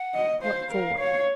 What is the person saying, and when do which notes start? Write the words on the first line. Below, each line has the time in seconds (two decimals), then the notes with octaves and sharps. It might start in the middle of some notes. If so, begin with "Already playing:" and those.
What for?
Already playing: F#5
0.14 D#5
0.43 C5 F5
0.72 A#4
0.99 C#5